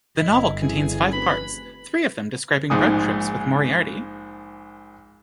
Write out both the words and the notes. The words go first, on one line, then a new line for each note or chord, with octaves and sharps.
The novel contains five parts, three of them describing road trips with Moriarty.
G1 E4 D#5
E3 C#4 G#4
F1 B4 B5
A#1 G#2 G#4 G#5 D#6